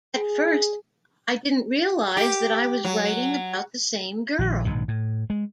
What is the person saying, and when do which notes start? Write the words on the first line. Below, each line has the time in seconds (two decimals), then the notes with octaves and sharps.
At first I didn't realize that I was writing about the same girl.
0.17 G#4
2.17 G4
2.84 F#3
4.39 A#1 D#3
4.65 A#1 G#2 B2 D#3
4.88 A2
5.30 G#3